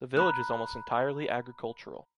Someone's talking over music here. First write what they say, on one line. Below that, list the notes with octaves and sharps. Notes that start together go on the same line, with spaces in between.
The village is almost entirely agricultural.
A#5 B5 F#6